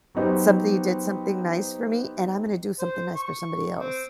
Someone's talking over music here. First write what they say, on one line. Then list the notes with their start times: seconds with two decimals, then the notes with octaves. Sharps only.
"Something you did something nice for me, and I'm gonna do something nice for somebody else."
0.15 F#3 B3 D#4 G4 C5
2.79 C5
3.16 C#6
3.80 C4